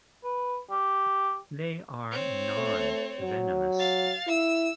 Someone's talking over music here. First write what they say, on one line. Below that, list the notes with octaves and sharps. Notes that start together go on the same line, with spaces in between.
They are non-venomous.
B4
G4
C4 C#5
A3
F#3
F5 A6
E4 E6